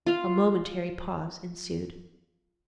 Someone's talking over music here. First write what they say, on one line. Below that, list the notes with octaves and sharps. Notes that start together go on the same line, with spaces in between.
A momentary pause ensued.
F4 F5